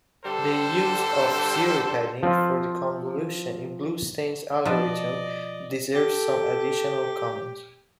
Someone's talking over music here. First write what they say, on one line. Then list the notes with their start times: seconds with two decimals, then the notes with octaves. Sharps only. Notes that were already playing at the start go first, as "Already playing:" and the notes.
The use of zero-padding for the convolution in Bluestein's algorithm deserves some additional comment.
0.25 G2 D3 G3 A4 C5
2.23 F3 C4 F4
4.65 B2 F3 D5 D#5
5.95 G4 A4